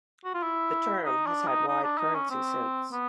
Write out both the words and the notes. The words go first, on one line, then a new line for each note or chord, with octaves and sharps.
The term has had wide currency since.
F#4
F4
E4
D#4
D4
D#4
D#4
D4
D#4
C#4
C4
B3